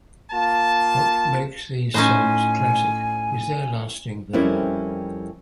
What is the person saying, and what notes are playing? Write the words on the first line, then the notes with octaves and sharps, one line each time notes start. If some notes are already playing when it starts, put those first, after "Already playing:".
What makes these songs classic is their lasting value.
A#3 F4 A5
A2 C#4 D#4 C5 G#5
F2 G3 C4 C#4 E4 A#4